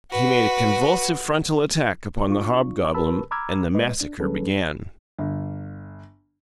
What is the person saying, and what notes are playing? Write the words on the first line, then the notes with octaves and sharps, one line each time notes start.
He made a convulsive frontal attack upon the hobgoblin--and the massacre began.
F#4 B4
D4 F4 C#6
G4 A#4 B4 A5 B5 E6
A#5 B5 D6 E6 F6 G#6
G#3 B4 D#5
D4
F#3 G3 C#4 G#4 A4 B4
G1